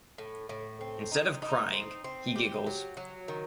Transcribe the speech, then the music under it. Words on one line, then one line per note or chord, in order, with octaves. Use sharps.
Instead of crying, he giggles.
A2
A2
C4
D#4
D#4
C4
C4
G4
F#3
F#3
D#3